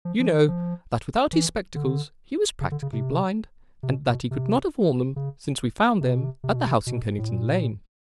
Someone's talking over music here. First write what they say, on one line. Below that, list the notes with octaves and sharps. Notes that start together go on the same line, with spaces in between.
You know that without his spectacles he was practically blind, and that he could not have worn them since we found them at the house in Kennington Lane.
F3
F3
E3
F3
E3
D3
C#3
D3
C#3
C3
C3
B2
B2
C3
C#3
C3
B2
C3
C3
B2
C3
B2
A2
A#2